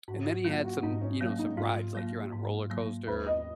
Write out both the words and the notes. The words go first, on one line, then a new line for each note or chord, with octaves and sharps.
and then he had some, you know, some rides, like you're on a roller coaster,
G#2 F#4
F#4
F#3 A#3 F4
F#4
G#2 D#4
C#4
F#3 A#3 C#4
D#4
G#2 F4
F#3 A#3
G#2
F#3 A#3
D#2 B4
D#5